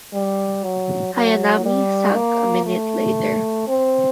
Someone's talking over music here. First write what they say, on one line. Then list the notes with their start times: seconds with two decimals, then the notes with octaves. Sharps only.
"Hayanami" sank a minute later.
0.13 G3
0.64 F#3
1.14 F#3
1.65 G3
2.16 A#3
2.66 A3
3.68 C4